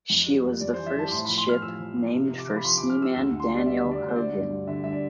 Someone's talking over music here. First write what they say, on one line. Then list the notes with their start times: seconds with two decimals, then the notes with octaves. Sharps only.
She was the first ship named for Seaman Daniel Hogan.
0.10 F2
0.26 G3
0.44 F2
0.61 F2 D5
0.74 E3 C5
0.86 E5
0.95 G3 A5
1.07 D6
1.11 A2 C6
1.25 F3 B5
1.38 C6
1.45 F3 F6
1.62 F3 E6
1.80 F3
1.96 F3
2.13 C3
2.31 C3
2.38 D6
2.48 F3
2.56 B5
2.64 F3 C6
2.77 F3 D6
2.90 F6
2.98 C3 E6
3.15 D2 E6
3.32 D2
3.40 C6
3.49 G3
3.56 D5
3.66 G3 E5
3.83 D3
3.91 D5
3.99 D2
4.08 C5
4.16 D3 D5
4.34 G2
4.51 G2
4.67 D3 E5
4.84 G2 E5
4.92 D5